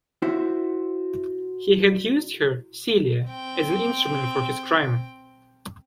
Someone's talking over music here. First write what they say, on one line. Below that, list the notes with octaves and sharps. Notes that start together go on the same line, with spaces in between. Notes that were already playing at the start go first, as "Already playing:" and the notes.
He had used her, Celia, as an instrument for his crime.
E4 F#4 C5
C4 G5